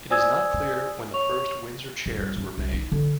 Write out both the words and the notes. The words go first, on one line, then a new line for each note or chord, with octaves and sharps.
It is not clear when the first Windsor Chairs were made.
C5 D5 G#5 D#6 E6 G#6
C#5 C#6 F7
G1
G3
F#2
C2
D#4
D3